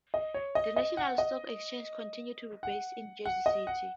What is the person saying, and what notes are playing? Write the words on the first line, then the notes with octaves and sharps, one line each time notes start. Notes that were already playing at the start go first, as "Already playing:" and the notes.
The National Stock Exchange continued to be based in Jersey City.
D#5
C#5
D#5
D#5
F#5
D#5
F#5
F#5
D#5
F#5